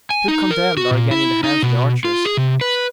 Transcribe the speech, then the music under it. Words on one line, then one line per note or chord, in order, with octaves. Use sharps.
The two condemned are again in the hands of the archers.
G#5
D#4
A#4
F#4
A#2
E4
D#4
B2
F4
G#4
C3
B4